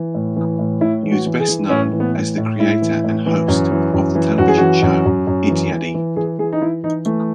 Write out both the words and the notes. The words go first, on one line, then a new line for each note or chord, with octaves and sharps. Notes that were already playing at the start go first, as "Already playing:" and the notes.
He is best known as the creator and host of the television show "Ittyadi".
Already playing: E3
A2
E3
A2
A2 E4
E3
F#4
E3
G#4
E3
A2 C#4
E3
B3
A2
A2
A2 E4
E3
A2
E3
F#2
E3
F#2
E3
F#2 F#4
G#4
E3 F#4
F#2
F#2
F#2
E3
E3
E3
E3 G#4
E3 G#4
D#4
E3 E4
E3 D#4
E3 A3